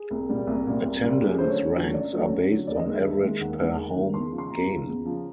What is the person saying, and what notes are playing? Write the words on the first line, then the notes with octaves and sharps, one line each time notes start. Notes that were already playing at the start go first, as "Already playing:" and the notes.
Attendance ranks are based on average per home game.
Already playing: G#4
C2
A#2 G3
C2
A#2 G3
C2
A#2 G3
F#2 G4
G#4
D3 F#3 A3 C5
C#5
F#2
D3 F#3 A3
F#2 D5
D3 F#3 A3
F#2
D3 F#3 A3
D#2 D5
D#5
D#3 G#3
E5
D#2
D#3 G#3
D#2 F#5
D#3 G#3
D#2
D#3 G#3
E2 C6
C#3 F3
C6
E2 A#5
C#3 F3
E2
C#3 F3